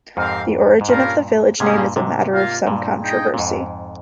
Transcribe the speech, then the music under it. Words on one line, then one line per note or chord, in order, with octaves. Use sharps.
The origin of the village name is a matter of some controversy.
F2 G#2 C4 G4 A#4 F5
G#2
G2 A#2 G3 C#4 F4 A#4 F5
G#2 C3 G3 A#3 C#4 G#4
G2 A#2
G#2 C3
A#3 F4 A#4 F5
G2 A#2
D#4 G#4 D#5 G5
A#2
F2 G#2